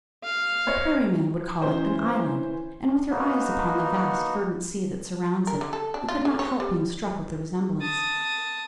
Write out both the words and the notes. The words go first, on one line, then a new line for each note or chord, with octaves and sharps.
A prairie-man would call it an "island," and with your eyes upon the vast verdant sea that surrounds it, you could not help being struck with the resemblance.
F5
C5 C#5 D#5
E3 C#4 C5
A#3 B3 D#4 F#4
A#4
D3
A4
D4
F4
D3
C#5
G3
A5 D#6